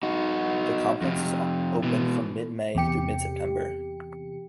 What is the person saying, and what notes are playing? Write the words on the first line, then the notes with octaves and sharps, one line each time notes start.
The complex is open from mid-May through mid-September.
D#4 F#4
F2 C3
B2 E3
E2 C3 G4 C#7